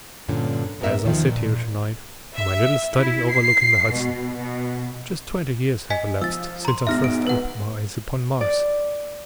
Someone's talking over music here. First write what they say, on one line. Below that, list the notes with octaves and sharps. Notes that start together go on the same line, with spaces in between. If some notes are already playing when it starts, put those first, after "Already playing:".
As I sit here tonight in my little study overlooking the Hudson, just twenty years have elapsed since I first opened my eyes upon Mars.
G2 A#2 D3 C#4
F#2 A#2 B3 A4 A#4 E5
E2 D#3 F3
A#2
E5
E4
C7
B2
B2
D#5 G#5 B6
F3 E6 A6
A#5 C6
E2 G#2 B2 E5 F6 A#6
D7
B4 F#5
D5